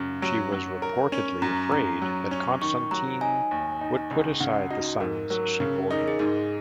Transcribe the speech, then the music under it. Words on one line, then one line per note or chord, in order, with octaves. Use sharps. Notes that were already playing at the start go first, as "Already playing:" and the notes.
She was reportedly afraid that Constantine would put aside the sons she bore him.
Already playing: F#2 C#3
F#3
F#3
A#4
C#4
F#2 A#5
F#2 A#5
F#3
C#4
D#3 C#6
F#3 A#5
D#4 G#5
D#2
D#4
C#2
C#3 F#5
D#4 F#4
G#2 A#4
F#3 A#4
C#3 A#4
D#4 G#4
A#4
G#4
G#2 G#4